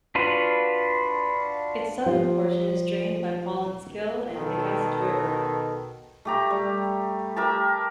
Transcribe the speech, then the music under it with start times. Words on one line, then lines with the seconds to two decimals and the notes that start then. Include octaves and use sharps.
Its southern portion is drained by Paulins Kill and Pequest River.
0.15 D4 F4 F#4 B4
2.06 F3 F4 G4
4.36 B2 D#3 A4
6.25 A3 G4 A#5
6.51 G3
7.36 G4 A#4 E5 A5